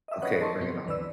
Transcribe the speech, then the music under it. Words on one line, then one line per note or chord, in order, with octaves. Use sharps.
Okay, bring it on.
D#5 E5
C#4 B4 C#5 D#5 F#5 G5
D#5 A5 C6 C#6
G2 C3 F#3 B3 C4
D2 E3 B4 D5 E6